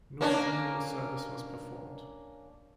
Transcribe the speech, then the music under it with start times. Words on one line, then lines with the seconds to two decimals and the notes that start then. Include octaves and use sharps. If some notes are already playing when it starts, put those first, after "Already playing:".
No funeral service was performed.
0.21 A#3 C#4 D4